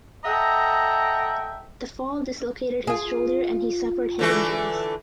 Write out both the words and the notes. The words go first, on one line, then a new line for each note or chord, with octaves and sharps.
The fall dislocated his shoulder and he suffered head injuries.
A4 D#5 E5 F#5 G5 A#5
F4 G#4
D3 E3 A3